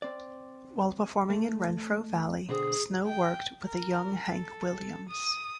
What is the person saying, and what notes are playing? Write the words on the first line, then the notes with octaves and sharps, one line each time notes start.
While performing in Renfro Valley, Snow worked with a young Hank Williams.
C4 D5
A3
B2 D3 C4 G#4
G5
A#4
A4
D#6